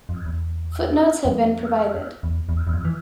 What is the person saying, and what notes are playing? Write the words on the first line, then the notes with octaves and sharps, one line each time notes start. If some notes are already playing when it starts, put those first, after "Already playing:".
Footnotes have been provided.
F2
E2
F2
E2
E2
E2
F2
E3